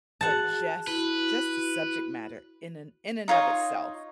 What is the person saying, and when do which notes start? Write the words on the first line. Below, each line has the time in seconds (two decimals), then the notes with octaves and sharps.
But just just the subject matter in and in and of itself
0.21 F#4 G#4 F#5 A5
0.87 E4 F#4 B4
3.28 D#4 F4 C#5 D#5